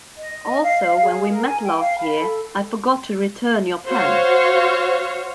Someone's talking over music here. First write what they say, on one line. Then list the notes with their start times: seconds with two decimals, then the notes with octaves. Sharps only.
Also when we met last year, I forgot to return your pen.
0.17 D#5
0.64 F5
1.02 G#4
1.29 A#4
1.46 G#5
1.63 G5
1.80 F5
1.99 B5
2.19 A4
3.87 F#4 C5 C#5 F5